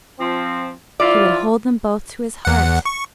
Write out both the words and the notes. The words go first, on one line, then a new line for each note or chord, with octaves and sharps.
He would hold them both to his heart.
F3 C4
F3 E4 F4 D5
E2 F#5
C#6